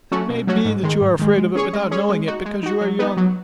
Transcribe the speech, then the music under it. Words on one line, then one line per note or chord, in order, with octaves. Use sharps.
It may be that you are afraid of it without knowing it, because you are young!
F#3 A3 C#4 F#4
B2
F#3 A3 C#4 F#4
G#2
D#3 G#3
G#2
D#3 G#3
G#3
C#4 G#4 C#5
G#3
C#4 G#4 C#5
G#3
D#4 F#4
G#3
D#4 F#4
F#3
B3 D#4
F#3